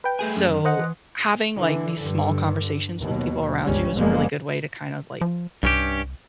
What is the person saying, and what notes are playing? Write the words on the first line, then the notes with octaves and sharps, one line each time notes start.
So, having, like, these small conversations with people around you is a really good way to, kind of, like,
B4 G5
A3 G#4 G#5
F#2
D#3
C5 D#5 F#5
E3
D3 E3
G2 D3
D#2 B2 F#3
G1 C#2 G3 C#4
F#1 B2 F3 G3 G#3 A#3
F3
C2 G2 C#4 G4